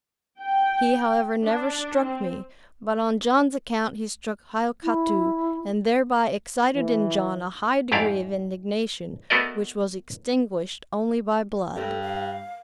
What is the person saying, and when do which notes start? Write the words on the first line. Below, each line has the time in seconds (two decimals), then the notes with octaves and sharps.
He, however, never struck me; but on John's account he struck Hiokatoo, and thereby excited in John a high degree of indignation, which was extinguished only by blood.
0.39 G5
1.43 D4
2.04 C4
4.83 E4
6.76 E3
7.92 F2 G#2 E4 G4 D5 F5
9.30 A3 B3 F#4 A#4 D5 D#5
11.76 G2 A4
12.03 F5